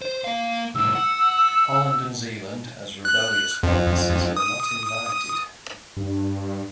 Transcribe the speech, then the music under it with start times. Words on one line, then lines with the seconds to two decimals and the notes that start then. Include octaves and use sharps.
Holland and Zeeland, as rebellious provinces, were not invited.
0.02 C5
0.24 A#3 F5
0.75 C2 A2 E6
0.95 F#5
3.05 F#6
3.63 F2
4.37 D#6
5.97 G2